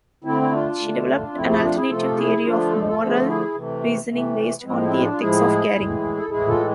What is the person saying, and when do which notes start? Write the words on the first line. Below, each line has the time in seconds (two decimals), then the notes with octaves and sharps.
She developed an alternative theory of moral reasoning based on the ethics of caring.
0.24 D3 A3 C4 E4
0.41 E4
0.51 D4 F4
0.79 D3 A3
1.34 C3 F3 A3 C4 E4
1.48 E4 G#4
1.61 D4 F4
1.75 E4 G#4
1.89 C3 F3 A3 F4 A4
2.17 E4 G#4
2.44 D3 F3 A3 D4 F4
2.72 A4
2.87 F4 A4
2.99 D3 F3 A3 A4
3.08 G#4
3.17 F4 A4
3.27 E4 G#4
3.55 C3 E3 A3
4.09 C3 E3 A3
4.59 B3
4.64 A2 F3 G#3 C4
4.82 C4 E4
5.01 D4 F4
5.12 F4
5.19 A2 F3 G#3 E4 G#4
5.74 A2 E3 G#3
6.18 A4
6.29 A2 E3 G#3 E4 G#4
6.48 F4 A4